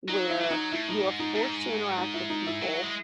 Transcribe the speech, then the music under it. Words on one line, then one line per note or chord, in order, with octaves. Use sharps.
where you are forced to interact with people
F#3 D#4
E4
F#3 E4
D#4
A2 E4
D#4
G#2
D#4
G#2 D#4
D#4
E4
D#4
E4
F#3
G#3